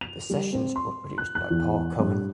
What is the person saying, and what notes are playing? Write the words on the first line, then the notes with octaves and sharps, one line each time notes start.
The sessions were produced by Paul Cohen.
F7
G3
C4
C6
F#6
F#6
E2
G2